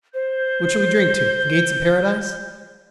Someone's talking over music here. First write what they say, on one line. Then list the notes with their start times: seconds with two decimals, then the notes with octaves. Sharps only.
What shall we drink to? The gates of paradise?
0.14 C5 G6